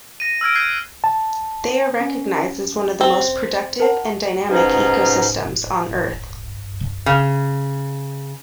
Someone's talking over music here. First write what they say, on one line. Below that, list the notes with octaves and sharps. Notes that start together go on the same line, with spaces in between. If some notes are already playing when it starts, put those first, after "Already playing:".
They are recognized as one of the most productive and dynamic ecosystems on Earth.
A#6 D#7
E6 F6 G#6 D7
F#6 G#6 C7
A5
C#4
C4
A#4 F#5 A5
G#2 B2 C#4 D#4 F4 G#4
C#3